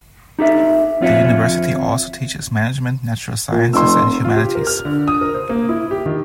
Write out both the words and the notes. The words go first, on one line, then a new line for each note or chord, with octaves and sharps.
The university also teaches management, natural sciences, and humanities.
D#4 G4 A4 E5
F2 C4 F4 C#5 E5
A#2
F1 C6 E6
F4
G4
A#4
F6
D3
D#6
A#4
C5
A#3
E4
G4
D#3